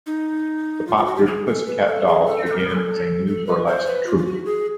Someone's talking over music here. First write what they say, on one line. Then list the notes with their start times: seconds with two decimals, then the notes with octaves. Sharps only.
The pop group Pussycat Dolls began as a New Burlesque troupe.
0.07 D#4
0.87 F4
0.97 F4
1.06 F#4
1.16 G4
1.27 G#4
1.47 A4
1.67 B4
1.87 A4
2.07 G#4
2.26 A4
2.46 A4
2.58 A#4
2.69 A4
3.27 A4
3.47 B4
3.66 C5
3.87 B4
4.07 F4
4.18 F4
4.27 F#4
4.46 G#4